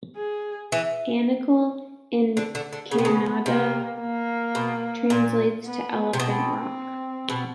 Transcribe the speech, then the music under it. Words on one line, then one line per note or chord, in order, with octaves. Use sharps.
Anekal in Kannada translates to 'Elephant rock'.
G#4
E3
D3
D3
D3
C#3 B3
C3
C#3
C3 A#3
A#3
B2
A#2
B3
C3
B2 C4
B2